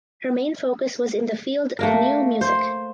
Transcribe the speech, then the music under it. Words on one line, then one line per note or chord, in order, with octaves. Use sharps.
Her main focus was in the field of Neue Musik.
A3 A#3 A#4
C5